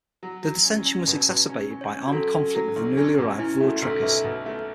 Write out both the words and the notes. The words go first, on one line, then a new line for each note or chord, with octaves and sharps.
Their dissension was exacerbated by armed conflict with the newly arrived Voortrekkers.
F#3
F#3
C#4
C#4
B2
B2
C#4
C#4
C#5
C#4
F#4
F#3 A4
C#4
F#3
B1
C#4
B2
C#4 E4
A3 F#4
B1 A4
B2 E5
B2
A3